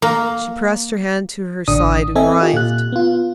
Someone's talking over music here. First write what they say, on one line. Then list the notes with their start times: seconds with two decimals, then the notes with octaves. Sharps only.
She pressed her hand to her side and writhed.
0.02 A#3
1.68 A1 D3 D4 D#6
2.15 C4 A4 D#5 E5 G#5
2.41 F4 G4
2.54 A#2 F#6
2.92 B3 F4